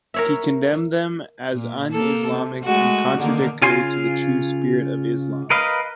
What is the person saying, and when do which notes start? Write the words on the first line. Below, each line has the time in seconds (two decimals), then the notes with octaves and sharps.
He condemned them as un-Islamic and contradictory to the true spirit of Islam.
0.14 A#4 C#5 E5
1.53 A#2
1.91 A#3 A4
2.32 C3
2.64 G#3 A3 F#4
3.18 D3 D#3 A#3
3.62 C#3 F4 G#5 C6
5.50 A#4 B4 D#5 F5